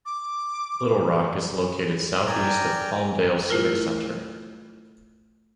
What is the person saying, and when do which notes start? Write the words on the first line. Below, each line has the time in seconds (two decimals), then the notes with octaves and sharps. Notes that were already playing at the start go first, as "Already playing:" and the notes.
Littlerock is located southeast of Palmdale's Civic Center.
0.06 D6
2.26 A#4 D5 G5 G#5 A#5
3.50 A3 E4 F4 A#4